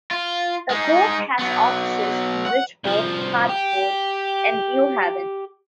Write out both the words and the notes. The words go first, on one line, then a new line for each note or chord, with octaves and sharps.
The court has offices in Bridgeport, Hartford, and New Haven.
F4
G#3 D#4
F#3 B3
F#5
C2 F3
G4